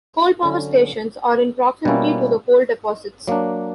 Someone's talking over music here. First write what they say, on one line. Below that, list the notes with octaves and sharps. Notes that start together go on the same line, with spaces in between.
Coal power stations are in proximity to the coal deposits.
D3 F#3 C#4
B2 G3 A#3 C#4 E4
F#3 A#3 D4